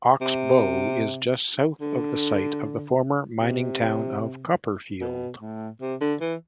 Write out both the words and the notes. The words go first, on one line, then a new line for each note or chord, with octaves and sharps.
Oxbow is just south of the site of the former mining town of Copperfield.
C3
D3
C3
B2
A2
C3
D3
E3